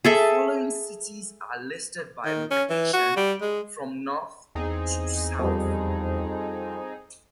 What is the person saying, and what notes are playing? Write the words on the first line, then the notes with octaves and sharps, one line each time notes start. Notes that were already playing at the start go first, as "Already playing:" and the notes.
The following cities are listed by location from north to south.
G#4 A4 E5
D#3
C#4
E3
F#4
G3
G#3
E2 C4 D#4 G#4
F2 G3